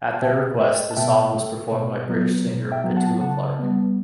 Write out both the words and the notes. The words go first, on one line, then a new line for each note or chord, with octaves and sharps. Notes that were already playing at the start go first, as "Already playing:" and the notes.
At their request, the song was performed by British singer Petula Clark.
A5
B2 E5 G5
A3 E5 G5
A5
B2 E5 G5
A3
B2
F#3 B3
B2
E5 G5
F#3 B3
F#5 A5
C#3 F#5 A5
G3 B3